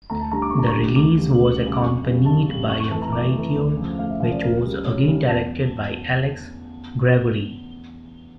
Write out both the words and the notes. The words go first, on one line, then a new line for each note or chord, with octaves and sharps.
The release was accompanied by a video which was again directed by Alex Gregory.
D2 A#5
A5
D3 G3 A#5
D6
D2 C#6
A#5
C#6
D3 G3
D2 D6
C#3 G3
D2
G3
C#3
D6
F2 C#6
C#3 G3
F2 A5
C#3 G3
F2 C#6
C#6
E3 A3 A5
A#5
F2 D6
E3 A3
D2
C#3 F3
D2 F5
E5
C#3 F3 F5
D5
D2 A#4
C#3 G3
D2 C#5
C#3 G3
E2 A5